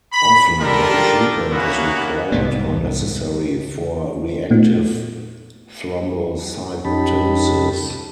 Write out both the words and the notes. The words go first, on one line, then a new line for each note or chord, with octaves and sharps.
Often, no treatment is required or necessary for reactive thrombocytosis.
B5
D4 F4 G4 A4 A#4
A#3 B3 C#4 E4 F#4
C2 G#2 B3
A#2 A3 B3 D#4 F4
F2 C#4 D#4 G4 A5 B5